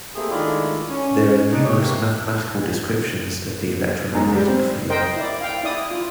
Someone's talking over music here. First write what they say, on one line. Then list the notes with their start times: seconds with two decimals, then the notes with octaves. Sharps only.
There are numerous mathematical descriptions of the electromagnetic field.
0.15 A3 A#3 C4 E4 G4 G#4
0.31 D#3 G#3 A3 D4 E4 F4
0.90 C#4
1.51 D4 D#4
1.64 G4 C#5
1.79 G#2 C3 A#3 B3 E5
4.15 G#2
4.35 G3
4.47 C4
4.90 A#4 C5 D#5 G5
5.16 E4 D5
5.41 F5 G5
5.64 E4 D5 D#6
5.91 F4